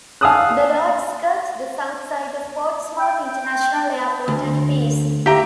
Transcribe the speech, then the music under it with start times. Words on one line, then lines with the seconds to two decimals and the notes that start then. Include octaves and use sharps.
The road skirts the south side of Portsmouth International Airport at Pease.
0.21 F5 G#5 A5 D#6 E6 F#6
2.99 G5
4.28 D2
5.26 G4 E5 A#5